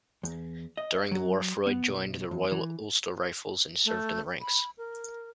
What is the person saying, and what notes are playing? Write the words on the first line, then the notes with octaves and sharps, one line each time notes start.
During the war Freud joined the Royal Ulster Rifles and served in the ranks.
E2
D#5
F#3
B3
B1
E2
E3
A3
B5
A#4